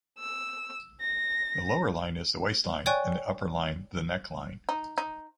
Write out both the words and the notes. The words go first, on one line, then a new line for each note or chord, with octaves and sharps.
The lower line is the waistline and the upper line the neckline.
E6
A#6
C#5 D5 G5 G#5 C#6 F#6
D#4
D#4